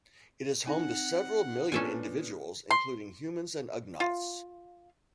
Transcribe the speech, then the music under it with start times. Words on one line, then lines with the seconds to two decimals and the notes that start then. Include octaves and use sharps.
It is home to several million individuals, including humans and Ugnaughts.
0.67 C4 D#4 F#5 G#5 A#6
1.72 A#2 B3 C#4 D4 A4 G#5
2.71 C6
4.00 F4